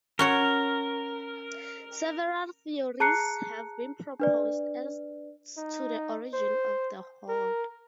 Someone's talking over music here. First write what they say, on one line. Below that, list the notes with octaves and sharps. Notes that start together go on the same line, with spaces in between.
Several theories have been proposed as to the origin of the hoard.
C#4 F#4 A#4 C#5
G#4 A5 A#5 F#6 C7 C#7
D4 B4 D5
D#4
C5
A#4